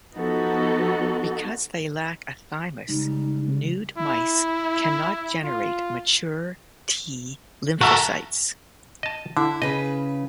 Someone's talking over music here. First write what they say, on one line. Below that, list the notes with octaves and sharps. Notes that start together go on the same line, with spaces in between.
Because they lack a thymus, nude mice cannot generate mature T lymphocytes.
F3 B3 D#4 F#4 A4
C#3 G3 G#3 D#4
E4
F4
F#4 A4 A#4 E5
D#5 A5
D3 E4
C#3 B4 D#5